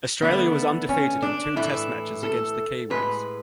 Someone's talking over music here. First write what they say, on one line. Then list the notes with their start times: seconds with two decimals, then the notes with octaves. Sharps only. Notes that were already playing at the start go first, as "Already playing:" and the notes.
Australia was undefeated in two test matches against the Kiwis.
0.22 D3 A3 B3
0.89 C#4
1.22 D4
1.56 A2 E3 A3 E4
2.23 A4
2.90 A2 G#3 B4